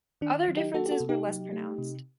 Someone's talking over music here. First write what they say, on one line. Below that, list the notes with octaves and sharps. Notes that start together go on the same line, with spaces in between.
Other differences were less pronounced.
D#3 D4
F#3
D#4 G4
A#3 F#4 A4
G4
F#4 A4
C3
D#4 G4
F#3
A3
C3